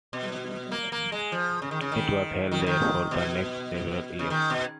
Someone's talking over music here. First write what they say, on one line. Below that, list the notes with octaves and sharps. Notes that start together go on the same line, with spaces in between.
It was held there for the next several years.
B2
A#3
A#3
G#3
F3
C#3
D#3
C#3
D#3
D#3
C#3
D#3
B2
C#3
D#3
B2